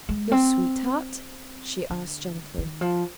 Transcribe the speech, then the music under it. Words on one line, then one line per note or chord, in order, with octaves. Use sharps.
"Your sweetheart?" she asked gently.
G#3
C4
D3
D#3
F3